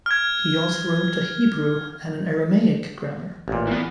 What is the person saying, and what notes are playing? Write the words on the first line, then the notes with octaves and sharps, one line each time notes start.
He also wrote a Hebrew and an Aramaic grammar.
F6 G#6
A1 A#2
E3 B3